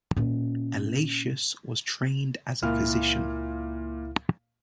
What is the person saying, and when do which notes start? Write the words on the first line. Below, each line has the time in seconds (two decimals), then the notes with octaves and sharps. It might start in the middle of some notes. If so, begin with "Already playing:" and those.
Allatius was trained as a physician.
0.16 A#2 C#4
2.63 C#2 A#2 E4 F6